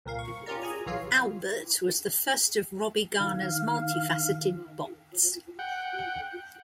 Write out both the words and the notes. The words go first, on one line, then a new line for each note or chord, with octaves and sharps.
Albert was the first of Robby Garner's multifaceted bots.
C2 A#2 A#4 F5
C#6
C#4 F4 G4 A#4 D5 A#5
G#4 G#5 A#5
B1 E3 F4 C#5 F5 C7
D#3 F5
F#5 G5